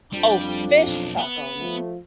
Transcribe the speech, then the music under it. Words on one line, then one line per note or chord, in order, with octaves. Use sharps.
Oh, fish taco.
F2 G3 D4
B1
B3 B4
F3 A3